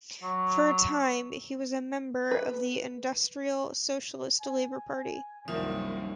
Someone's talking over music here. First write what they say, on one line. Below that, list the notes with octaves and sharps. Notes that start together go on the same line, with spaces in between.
For a time he was a member of the Industrial Socialist Labor Party.
F#3
B4
G#5
C2 F#2 D#3 F3 A#3 D#4 E5